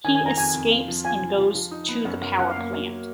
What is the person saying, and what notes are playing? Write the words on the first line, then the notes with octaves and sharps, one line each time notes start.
He escapes and goes to the power plant.
D#3 G#5
G#5
F2
A#5
F2 G#5
F2
F4
F3
F4 G#5
F3
F3
F3
D#4
B3
F#2
F#2
F#2 F#5
F5
A#3
F#3
F#3